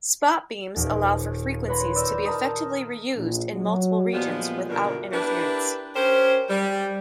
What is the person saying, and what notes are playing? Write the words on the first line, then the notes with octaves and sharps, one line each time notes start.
Spot beams allow for frequencies to be effectively reused in multiple regions without interference.
D#1 D#2
B4 C#5 B5 C6 A#6
D5 E6 G6
A#4 D#5 A5 A#5 D#6
A#1
F#3
A#2 F3 G3 G#3 B3
G2 B2 D3 E3 F4 A#4
D4 E4 G4 A#4 B4
C#4 G4 A#4 C5
G3